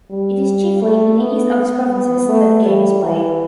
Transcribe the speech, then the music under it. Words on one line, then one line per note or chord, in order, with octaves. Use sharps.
It is chiefly in the east of these provinces that the game is played.
G3
A3
B3
A3
G3
E3